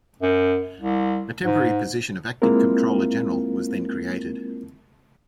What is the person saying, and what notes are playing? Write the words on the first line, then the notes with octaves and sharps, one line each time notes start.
A temporary position of Acting Comptroller General was then created.
F#2
C2
G#2
G#3 A#3 C4 E4 F4 A#4